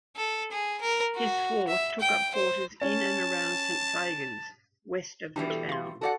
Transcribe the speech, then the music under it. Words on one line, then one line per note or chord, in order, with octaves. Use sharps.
His force took up quarters in and around Saint Fagans, west of the town.
A4
G#4
A#4
F#4
E5
G5
C5
C#4 A5
B2 E3 G3 D4
A4
F5 C6
F#4 A4 D5 F#5